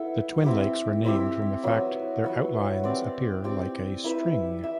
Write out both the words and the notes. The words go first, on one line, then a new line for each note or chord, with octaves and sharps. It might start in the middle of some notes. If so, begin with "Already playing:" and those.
The twin lakes were named from the fact their outlines appear like a string.
Already playing: B3 E4 A4
C4 E4 G4
C4 E4 G4
F#3 B3 F#4
F#3 B3 F#4
C4 G4 D5
C4 G4 D5
E4 B4 E5
E5